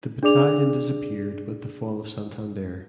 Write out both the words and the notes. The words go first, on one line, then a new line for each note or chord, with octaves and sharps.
The battalion disappeared with the fall of Santander.
D4 G#4 D5 D6 F7